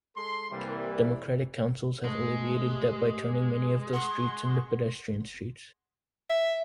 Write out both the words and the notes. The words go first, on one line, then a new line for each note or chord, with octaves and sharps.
Democratic councils have alleviated that by turning many of those streets into pedestrian streets.
G#3 A4 C6
C2 C3 E3 G3 A#3
G#2 G#3 A3
G4
F#5 C6 C#6
E5